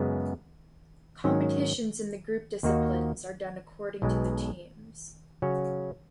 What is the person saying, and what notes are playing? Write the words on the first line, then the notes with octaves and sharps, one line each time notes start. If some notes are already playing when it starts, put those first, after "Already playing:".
Competitions in the group disciplines are done according to the teams.
Already playing: F#2 C#3 G#3 B3
G#2 D#3 F#3 C#4
D#2 D#3 A#3 D#4 F#4
B1 B2 G#3
C#3 F#3 C#4 F#4 C#5